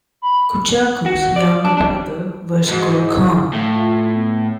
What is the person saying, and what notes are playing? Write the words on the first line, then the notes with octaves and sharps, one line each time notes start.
Kurchakus's younger brother was Gur Khan.
B5
F#4
D5
D4
D4
F2 G#2 F#4
E4
A2 F5
F4
B3